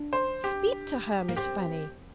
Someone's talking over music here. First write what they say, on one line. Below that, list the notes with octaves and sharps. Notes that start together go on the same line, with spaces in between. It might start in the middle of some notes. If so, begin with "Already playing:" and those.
Speak to her, Miss Fanny!'
Already playing: D4
C5
G4
A#3
C4 G4